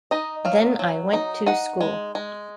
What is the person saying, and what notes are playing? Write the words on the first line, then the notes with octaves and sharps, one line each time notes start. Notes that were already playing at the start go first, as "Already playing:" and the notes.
Then I went to school.
D#4 D#5
F#3 F5
F#3
D#4
D#4 F#5
G#3
G#3